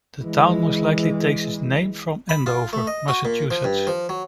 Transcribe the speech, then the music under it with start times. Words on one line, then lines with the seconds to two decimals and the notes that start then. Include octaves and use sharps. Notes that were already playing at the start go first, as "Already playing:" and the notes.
The town most likely takes its name from Andover, Massachusetts.
0.23 E3 G#3
2.29 B5
2.46 F4
2.73 A3
2.87 D#5
3.08 F#4
3.25 A#2
3.51 F3
3.64 G2
3.87 F3
4.09 F#3